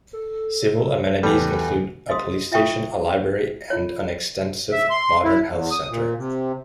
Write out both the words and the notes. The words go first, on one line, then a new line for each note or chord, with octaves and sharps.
Civil amenities include a police station, a library and an extensive modern health centre.
A4
E2 G3 A4 B4
D#5 F5 C6 D#6
F4 E5 F5 G5 C#6 D#6
F4 C#5
E5
C6
E4
E2
D#6
A#2
C3